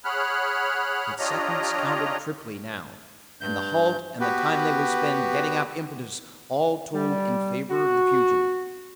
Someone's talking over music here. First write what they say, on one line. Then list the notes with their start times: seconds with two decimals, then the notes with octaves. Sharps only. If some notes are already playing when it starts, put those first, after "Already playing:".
But seconds counted triply now, and the halt and the time they would spend getting up impetus all told in favor of the fugitive.
0.05 G#4 C#5 F#5 B5 F6 F#6
1.19 D4 F4 G4 C#5 D#5 A#5
3.41 G2 G6
4.20 B3 F#4 G4 B4
6.94 G3
7.70 F#4